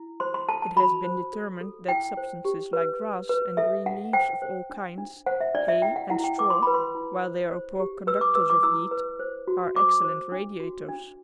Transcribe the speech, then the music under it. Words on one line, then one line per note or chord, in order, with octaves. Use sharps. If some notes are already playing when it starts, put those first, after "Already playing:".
It has been determined that substances like grass and green leaves of all kinds, hay and straw, while they are poor conductors of heat, are excellent radiators.
Already playing: E4
C5 C6
C6
A4 A5
A5
F#4 B5
C5
A4
A4
E4 G5
C5
G4
B4
B4
B4
A4 E5
D4 F#5
C5 G5
C5
D4
D4
C5 F#5
E5
D4 D5
E5
E4 G5
F#5
E4 F#5
G5
B4 D6
C6
B4 B5
C6
E4
C5
C5
G4
B4 E6
D6
B4 E6
D6
E4 E6
B4
C5
F#4
C5 D6
C5
D4
F#4
D4